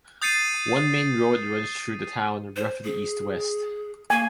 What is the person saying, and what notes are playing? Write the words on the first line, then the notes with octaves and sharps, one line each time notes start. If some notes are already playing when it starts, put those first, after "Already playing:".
One main road runs through the town, roughly east-west.
D#6 G6 A6 C7 C#7 D#7
C5
G#4
A#3 G#5